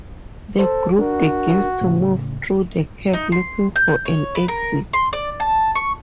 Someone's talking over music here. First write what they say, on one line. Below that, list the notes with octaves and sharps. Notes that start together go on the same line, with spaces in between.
The group begins to move through the cave looking for an exit.
A4 C5
D4 F#4 A#4
A2 C#3
D#4
C6
G6
C#5
B4
A#4
C6
D5
A5
C#6